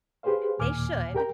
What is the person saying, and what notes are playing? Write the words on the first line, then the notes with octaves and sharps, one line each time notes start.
They should,
G4 G#4 B4 C5 F5
D#2 A#2 G#5 D6 F6
G4 A#4 G5 A#5